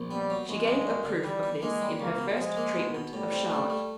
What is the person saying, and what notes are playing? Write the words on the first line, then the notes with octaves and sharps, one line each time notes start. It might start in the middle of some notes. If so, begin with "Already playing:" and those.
She gave a proof of this in her first treatment of Charlotte.
Already playing: A#1
G3 B3
F#3
A1 G#3
G2
F#2
D3
E3 G3
E3
G#3 A#3
G3
C#2 A#3
B2
F3 G#3
A#3
B2
B2
A2 G3
C4
A3
A3